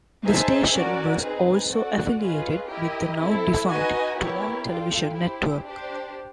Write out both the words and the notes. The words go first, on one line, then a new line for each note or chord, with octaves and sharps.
The station was also affiliated with the now-defunct DuMont Television Network.
D#4 G#4 C5 E5 A5
C#4 F#4 A#4 D5
C4 D#4 G#4 B4
F#4 A4 D5 F#5
C#4 F4 G#4 B4 D#5
E4 G4 A#4 D#5
C4 E4 A4
D#4 F#4 B4 D#5 G#5
B3 E4 G4 A#4 C#5
D4 F4 A4 D5 G5
E4 G4 C5
D4 G4 C5